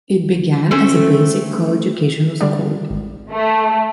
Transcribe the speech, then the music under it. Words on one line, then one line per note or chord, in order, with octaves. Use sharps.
It began as a basic co-educational school.
A3 C4 C#4
D3 G3 D4
G#1
A3